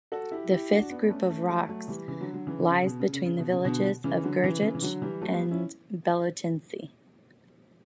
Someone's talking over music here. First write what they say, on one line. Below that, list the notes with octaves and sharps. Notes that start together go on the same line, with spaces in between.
The fifth group of rocks lies between the villages of Gyurgich and Belotintsi.
F#4 A4
E4 G4
E4 G4
D4 F#4
B3 D4
B3
A3 C#4
A3 C#4
F#3 A3
F#3 A3
E3 G3
C#3 E3
D3 F#3
D3 F#3
C#3 E3
D3
C#3
C#3
B2
C#3
C#3
C#3
B2
C#3
B2 D3
C#3 E3
D3 F#3
C#3 E3
C#3 E3
E3
D3 F#3
E3 G3
F#3 A3
G3 B3
C#4 E4